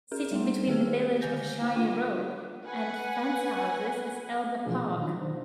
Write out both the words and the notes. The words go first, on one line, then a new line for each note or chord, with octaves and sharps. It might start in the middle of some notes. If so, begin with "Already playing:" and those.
Sitting between the village of Shiney Row and Fencehouses is Elba Park.
C#4 G#4 A#4
G3 A3 A#3 D#4
D#3 A#3 G4 G#4 B4
D3 D#3 C5 G#5 G6 A#6
A#3
D4 F4 G5 D6 D#7
B4 F#5 G#5
B2 E3 F3 A3 D4 G#4
D#3 F#3 F4
D#3 D4 C5